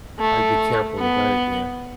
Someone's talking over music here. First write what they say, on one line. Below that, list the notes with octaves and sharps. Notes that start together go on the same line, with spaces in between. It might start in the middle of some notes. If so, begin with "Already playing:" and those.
I'd be careful about it, yeah.
A3
B3